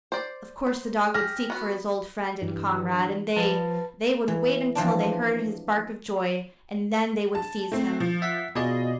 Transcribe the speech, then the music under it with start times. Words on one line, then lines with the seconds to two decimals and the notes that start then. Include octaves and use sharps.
Of course the dog would seek for his old friend and comrade, and they--they would wait until they heard his bark of joy, and then they would seize him.
0.12 C5 D5
0.67 C5
1.14 G4 G#4 F6 A#6
1.50 B3 F#4
2.42 G2 E3
3.36 F3 B4 A5
4.28 E3
4.75 E3 F3 C4 D4
7.35 A5
7.72 A3 C4
8.00 F3
8.22 E5 F#5 B6
8.55 B2 F4 G#4 D5 D#5